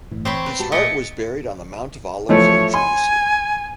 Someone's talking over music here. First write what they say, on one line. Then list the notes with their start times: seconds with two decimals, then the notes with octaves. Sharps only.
His heart was buried on the Mount of Olives in Jerusalem.
0.11 G1 A2 E3
0.25 C4 C5 C#5 B5
0.46 B4
0.59 G#2 F#4 G4 A5
0.72 A#2 A3 D#5 G#5 C#7
2.29 E3 F3 A3 C#5
2.74 G#5 C6